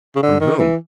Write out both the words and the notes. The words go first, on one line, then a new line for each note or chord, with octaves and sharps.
From whom?
C#3
D3
D#3
E3